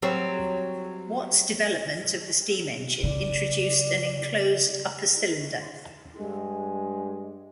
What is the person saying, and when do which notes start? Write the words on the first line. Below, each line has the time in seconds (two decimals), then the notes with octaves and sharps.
Watt's development of the steam engine introduced an enclosed upper cylinder.
0.02 F#3 G3 C4
3.03 C#3 D5
6.19 G2 G#3